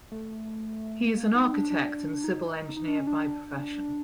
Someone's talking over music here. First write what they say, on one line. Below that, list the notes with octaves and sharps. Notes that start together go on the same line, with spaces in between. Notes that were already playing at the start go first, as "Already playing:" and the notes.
He is an architect and civil engineer by profession.
A3
A#3
D#4
D4
D4
D#4
D#4
D4
C#4
D4